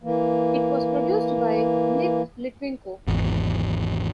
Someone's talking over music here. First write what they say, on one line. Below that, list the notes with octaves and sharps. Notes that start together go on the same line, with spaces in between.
It was produced by Nick Litwinko.
E3 A#3
G#1 E2